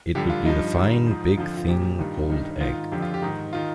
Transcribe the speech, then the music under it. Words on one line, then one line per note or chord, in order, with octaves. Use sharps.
It would be the fine, big thing, old egg.
G2 D3 F3 G4
F4
G2 F3 D#4
G2 D#3
G#2 F3
F2 D3 F3 F4
F4
A#2 F3 G4
G2 D#3 F4
G2 D#3 D#4
G#2 D#3 F4
F2 D3 F3 G4
F4
G4
G#2 D#3
D#3 F4